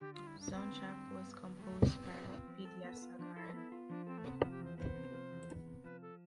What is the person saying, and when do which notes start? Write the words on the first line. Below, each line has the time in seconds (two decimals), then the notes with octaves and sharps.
Soundtrack was composed by Vidyasagar.
0.01 D3 G4
0.14 F4
0.19 G3
0.27 E4
0.36 G2 D4
0.54 B3 C4
0.72 D3
0.90 G3
1.07 G2
1.25 B3
1.42 D3
1.59 G3 A3
1.77 G2
1.86 C4
1.96 B3
2.13 B3
2.31 F4
2.47 F3
2.65 A4
2.84 B3
3.02 F4
3.19 F3 D4
3.36 E4 A4
3.53 B3 E4
3.72 F4
3.89 F3 D4
4.07 C4 A4
4.18 A3
4.24 C3 B3
4.38 B3
4.42 F3
4.51 G4
4.60 E2 C5
4.78 B3 C5
4.96 C3
5.13 F3
5.31 E2
5.49 B3
5.66 C3
5.84 F3 B4
6.02 A4